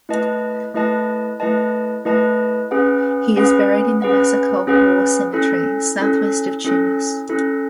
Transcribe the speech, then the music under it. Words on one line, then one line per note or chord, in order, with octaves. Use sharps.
He is buried in the Massicault War Cemetery, southwest of Tunis.
A3 E4 B4 D#5 A5
A3 E4 B4 D#5 A5
A3 E4 B4 D#5 A5
A3 E4 B4 D#5 A5
C#4 G#4 B4 F#5
C#4 G#4 B4 F#5
C#4 G#4 B4 F#5
C#4 G#4 B4 F#5
C#4 E4 A4
C#4 E4 A4
C#4 E4 A4
C#4 E4 A4